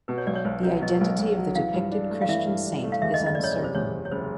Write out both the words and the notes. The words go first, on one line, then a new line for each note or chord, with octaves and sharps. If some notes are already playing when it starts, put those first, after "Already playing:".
The identity of the depicted Christian Saint is uncertain.
B2 B4
C#5
B1 D5
C#5
B1 C5
F#3 C#5
B2 D#5
B1
B1
F#3
E3 F5
G2
D4
A3
F5
E3 E5
G2
D4
A3
F5
E2 E5
D#5
F#1
D#5
D5
F#1 C#5
D5
C3
C5
E2 C#5
F#1
C#5
F#1 C5